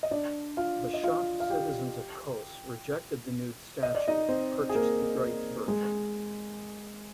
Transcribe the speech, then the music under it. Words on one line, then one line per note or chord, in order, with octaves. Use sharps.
The shocked citizens of Kos rejected the nude statue and purchased the draped version.
D#5
D4 D5
F4 F5
D#5
F4 F5
F5
G4 G5
D#5
D5
D#4 D#5
C4 C5
G#4
A#3 A#4
G#3 G#4